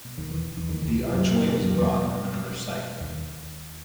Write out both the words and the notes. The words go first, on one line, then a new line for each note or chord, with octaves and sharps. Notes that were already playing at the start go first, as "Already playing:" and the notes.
The archway was brought from another site.
B2
D#2 D#3
E2 E3
E2 E3
D#2 D#3
C#2 C#3
B2
F#2 F#3
A#2 A#3
A#2 A#3
F#2 F#3
E2 E3
B2
B2
D#2 D#3